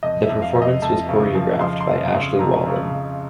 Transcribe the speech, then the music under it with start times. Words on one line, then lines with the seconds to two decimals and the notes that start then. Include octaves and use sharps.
The performance was choreographed by Ashley Wallen.
0.03 F2 D#5
0.23 E5
0.29 F2
0.42 F5
0.55 F2
0.62 D#5
0.82 F2 A5
1.09 C#3
1.35 F3
1.61 F3 C6
1.81 C6
1.87 F2
2.14 C#3
2.39 F2 A#5
2.66 C#3
2.93 F2